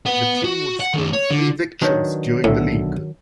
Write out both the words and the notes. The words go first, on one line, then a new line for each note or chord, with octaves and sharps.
The team would score three victories during the league.
B4 F#5
F#4
F#5
D#3 A3
C#5
D3
D#3 F#3 D4 B4 C#5
B1 A2 D3 E5